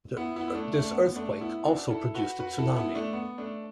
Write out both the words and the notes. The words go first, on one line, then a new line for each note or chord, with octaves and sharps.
This earthquake also produced a tsunami.
B3 E4
B3 E4
E4
A3 D4
A3
D4
B3
B3
A3 D4
B3 E4
D4 F#4
E4 A4
F#4 B4
F#4 B4
E4 A4
B3 E4
A3 D4
B3
A3 D4